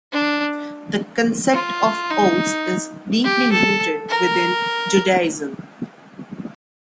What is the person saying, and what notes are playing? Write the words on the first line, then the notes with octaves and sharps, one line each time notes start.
The concept of oaths is deeply rooted within Judaism.
D4
F4
D#4
G4
A4
A#4